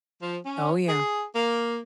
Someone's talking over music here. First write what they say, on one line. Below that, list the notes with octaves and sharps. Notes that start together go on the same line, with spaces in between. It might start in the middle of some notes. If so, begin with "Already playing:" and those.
Oh, yeah.
F3
C#4
G#4
A#3